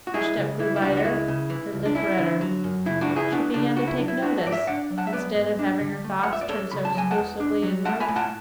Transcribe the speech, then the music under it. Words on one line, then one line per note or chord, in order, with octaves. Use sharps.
Her step grew lighter, her lip redder. She began to take notice, instead of having her thoughts turned so exclusively inward.
F#4
G#3 E4 G#4
C#3
E3 E4
E4
C#2 D4 F#4
F#4
G#3 E4
C#3
E3
C#2
D4
C#4 E4
D3
F#3
F#2
C#3 E4
D4 F#4
E3
E4 G#4
B3 D4 F#4
C#3 D4
D4 F#4
E4
F#3 D4
E4
B3 D4 F#4
F#4 A4
G#2 D5
C#5 E5
D4 D5 F#5
F#3
F#5 A5
E5
B3 B4 D5
G#2
D4
D3
A3
F#5
E2
E5
D5
C#4 A4 C#5
C#3 B5
A5
F#3 G#5
F#5 A5
E2
D4
F#3
A3 F#5 A5
G#5 B5
A2
F#5 A5